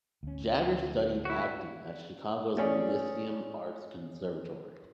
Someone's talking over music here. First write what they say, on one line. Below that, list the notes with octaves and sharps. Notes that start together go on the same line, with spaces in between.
Jagger studied acting at Chicago's Lyceum Arts Conservatory.
D2 C#4
E4 F#4
A3 C#4 G#4 D5